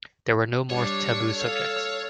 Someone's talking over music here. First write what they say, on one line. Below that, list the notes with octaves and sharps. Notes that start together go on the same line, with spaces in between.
There were no more taboo subjects.
G3 D4 C#5
A4 F5